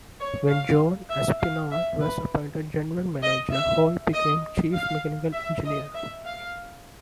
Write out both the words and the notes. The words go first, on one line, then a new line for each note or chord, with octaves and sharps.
When John Aspinall was appointed General Manager, Hoy became Chief Mechanical Engineer.
C#5
F5
E5
F5
E5
B4
D#5
E5
D#5
F5
E5
D#5
E5
F5